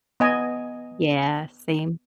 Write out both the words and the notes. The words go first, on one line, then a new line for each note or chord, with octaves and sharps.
Yeah, same.
B3 D#5 G#5